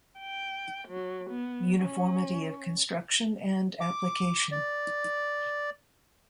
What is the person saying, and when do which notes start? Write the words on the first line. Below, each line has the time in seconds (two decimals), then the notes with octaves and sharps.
Uniformity of Construction and Application.
0.19 G5
0.87 F#3
1.29 B3
1.78 C#4
3.81 D6
4.52 D5